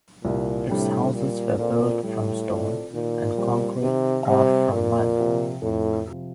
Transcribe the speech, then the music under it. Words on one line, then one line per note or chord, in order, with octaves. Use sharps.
Its houses were built from stone and concrete or from mud.
C2 A#2
A2 C3 G3 D4 G4
A#2 G3
A#2 C4 F4 A4 D5
A2 G3
C4 F4 A4 D5
A#2 D#3
G3 C4
C3 D#3
C3 G3 C4
F2 A#2
C3 F3
F2 A2
C3 F3